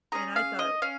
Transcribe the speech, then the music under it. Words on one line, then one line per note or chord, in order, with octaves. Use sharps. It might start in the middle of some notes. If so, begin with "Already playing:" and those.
and I thought,
C#4 G#4 A#5
F5
D#5
C#4 F5